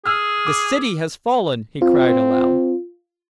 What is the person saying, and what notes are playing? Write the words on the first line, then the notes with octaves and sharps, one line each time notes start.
"The city has fallen!" he cried aloud.
G#4 E6 F6
D6
C4 F4